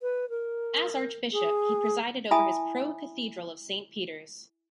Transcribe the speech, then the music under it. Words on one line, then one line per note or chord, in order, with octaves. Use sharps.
As Archbishop, he presided over his pro-cathedral of Saint Peter's.
B4
A#4
G#4
E4 E5 G#5 A5 B5 D#6